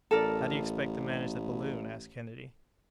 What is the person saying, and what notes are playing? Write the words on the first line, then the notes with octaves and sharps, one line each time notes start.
"How do you expect to manage the balloon?" asked Kennedy.
A1 A4 A#4 D5